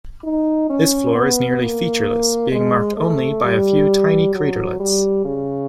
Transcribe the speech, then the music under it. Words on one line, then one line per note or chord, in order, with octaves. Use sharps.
This floor is nearly featureless, being marked only by a few tiny craterlets.
D#4
C#4
B3
A#3
G#3
A3
G3
F#3
G3
C#3